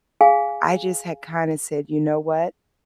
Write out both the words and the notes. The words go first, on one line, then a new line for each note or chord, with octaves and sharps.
I just had kinda said, "You know what"
G#4 F5 G#5